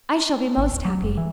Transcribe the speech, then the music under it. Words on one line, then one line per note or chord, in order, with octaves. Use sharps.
"I shall be most happy."
G#1
D1
F#3
F#1
E3